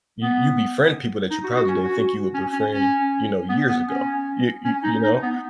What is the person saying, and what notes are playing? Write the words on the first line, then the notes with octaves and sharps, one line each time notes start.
You you befriend people that you probably didn't think you would befriend, you know, years ago. You you you know?
B3
D#4
F#4
F#4
C#4
F#4
C#4
C#4
C#4
B3
B3
C#4
C#4
D#4
D#4
B3